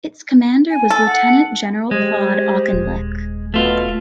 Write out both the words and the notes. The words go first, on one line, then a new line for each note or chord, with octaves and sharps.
Its commander was Lieutenant General Claude Auchinleck.
G#5
A4
F#5
G#3 G4 C5
D#1
B2 A3 F4